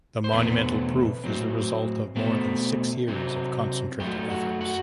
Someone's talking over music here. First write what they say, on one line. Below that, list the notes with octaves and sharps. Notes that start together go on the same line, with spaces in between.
The monumental proof is the result of more than six years of concentrated efforts.
C5
E2 B2 A3 C4 B4
A2 F#3 C4
B2 A3 C4
C3 F#3 C4
F#2 F#3 A3 G4
F#4
F#4